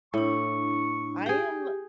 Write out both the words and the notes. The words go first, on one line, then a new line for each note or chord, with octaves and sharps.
I am
A2 D4 E4 C#6
G4 G#4 G5